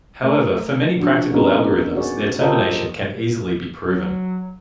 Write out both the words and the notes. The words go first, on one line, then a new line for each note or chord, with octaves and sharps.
However, for many practical algorithms, their termination can easily be proven.
A3 A#4
F3 D4 F#4
A#3 B3 C#4 D#4 G#4 A#4
F#4 G#4 C#5 D5
F4 G4 A4 A#4 C5 D#5
F#3